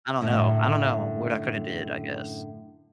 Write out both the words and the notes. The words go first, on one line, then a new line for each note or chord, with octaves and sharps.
I don't know I don't know what I coulda did, I guess.
F#2 A2 D3